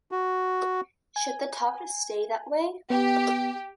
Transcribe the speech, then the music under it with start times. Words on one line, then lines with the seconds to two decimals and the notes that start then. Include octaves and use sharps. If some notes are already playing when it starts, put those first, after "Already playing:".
Should the tuft stay that way?
0.11 F#4
1.16 G#5
2.90 B3 G4